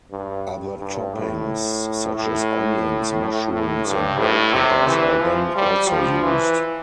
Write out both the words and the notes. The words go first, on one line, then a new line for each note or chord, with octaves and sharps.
Other toppings such as onions, mushrooms and bell peppers are then also used.
G2
G2
A2
A2
A2
G2
A2
C3
E3
F3
G3
F3
E3